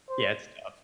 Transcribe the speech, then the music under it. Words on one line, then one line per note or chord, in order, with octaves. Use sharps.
Yeah, it's tough.
C5